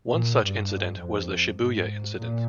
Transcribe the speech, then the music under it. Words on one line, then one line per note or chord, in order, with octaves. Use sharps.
One such incident was the Shibuya incident.
A#2
G2
F2
G#2
A#2